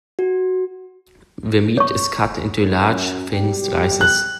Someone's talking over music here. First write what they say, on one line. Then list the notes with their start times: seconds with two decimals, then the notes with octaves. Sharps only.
The meat is cut into large, thin slices.
0.19 F#4
1.77 C#5 C#6
2.60 F#2
3.31 B2 G3 G4
4.01 F#6